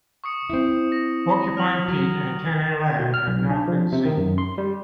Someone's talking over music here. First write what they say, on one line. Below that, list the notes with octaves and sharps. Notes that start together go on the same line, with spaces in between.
Porcupine Pete and Antennae Lad have not been seen.
C#6 D#6 C#7
C4 E4
A#6
F6 F7 F#7
F#3
B2
F6
B1
D4
F3
C3
D#3
F#2
C6
G3